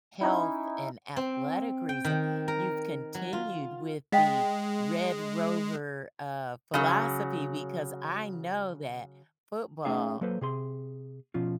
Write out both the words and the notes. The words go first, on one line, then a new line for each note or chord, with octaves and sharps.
health and athletic reason, you've continued with the Red Rover, uh, philosophy because I know that football
C#4 D#4 E4
C4
G5
D#3
A#4
F#3
F4
G#3 D#5 F5 G5
C#3 F#3
A3 C#4 D#4 G#4 E5 F5
F#3 A#3 A4 B4 C5
C3 G#4 C6
B2 F3 C#4 F4